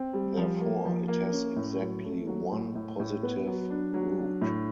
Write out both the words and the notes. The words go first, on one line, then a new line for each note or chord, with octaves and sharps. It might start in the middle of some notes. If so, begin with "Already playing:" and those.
Therefore it has exactly one positive root.
Already playing: C4
G3
F3
A#3
F3
A#3
C#4
A2
F#3
A3
F#3
A2
A2
A2
B3
F#3
D4
F#3
D4
A2